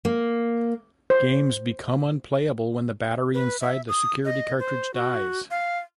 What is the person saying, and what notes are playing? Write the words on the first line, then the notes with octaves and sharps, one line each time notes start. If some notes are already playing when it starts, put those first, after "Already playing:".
Games become unplayable when the battery inside the security cartridge dies.
A#3
C5
B4
E5
D#6
D#5
C5
F#4
F5